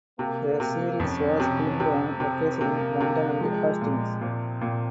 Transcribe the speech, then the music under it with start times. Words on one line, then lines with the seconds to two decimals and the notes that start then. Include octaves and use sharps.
The series was filmed on location in London and Hastings.
0.19 C3 A#3
0.60 C3
1.00 F2 C#4
1.40 C3
1.80 C3 C4
2.20 C3
2.61 C3 A#3
3.00 C3
3.41 F3 G#3
3.81 A#2
4.21 A#2 C4
4.61 A#2